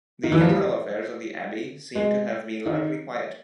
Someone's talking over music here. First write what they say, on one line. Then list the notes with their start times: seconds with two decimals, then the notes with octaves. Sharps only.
The internal affairs of the abbey seem to have been largely quiet.
0.23 D#3
0.32 E3
0.41 F3
0.49 G3
1.95 G#3
2.66 D#3